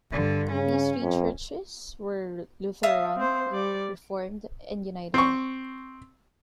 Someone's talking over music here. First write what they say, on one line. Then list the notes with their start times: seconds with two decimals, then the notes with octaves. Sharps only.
These three churches were Lutheran, Reformed, and United.
0.12 G2 D3
0.52 C#3 C#4
1.02 F2
2.83 E5 F5 D#6
3.16 C4 C5
3.50 G3 D5
5.14 C4 C#6